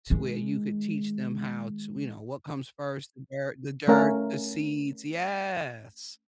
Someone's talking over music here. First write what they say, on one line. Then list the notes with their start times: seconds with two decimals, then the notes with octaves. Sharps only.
To, where you could teach them how t you know, "What comes first? The dirt the dirt, the seeds," yes.
0.10 D#3 G#3
3.88 A3 C#4 A#4 F5